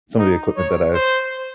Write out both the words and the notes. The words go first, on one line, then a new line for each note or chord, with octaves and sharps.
some of the equipment that I've
D#4
C#5
C5